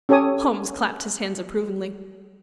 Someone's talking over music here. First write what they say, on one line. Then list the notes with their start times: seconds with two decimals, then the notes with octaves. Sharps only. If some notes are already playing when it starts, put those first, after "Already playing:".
Holmes clapped his hands approvingly.
0.09 C#4 G4 A4 C#5 G#5 D#6